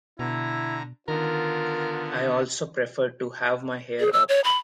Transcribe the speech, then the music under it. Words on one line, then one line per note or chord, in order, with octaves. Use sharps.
I also prefer to have my hair up.
B2 D3 E4 A#5
D3 D#3 B3 F4 A#4
G#4
E6
C#5
B5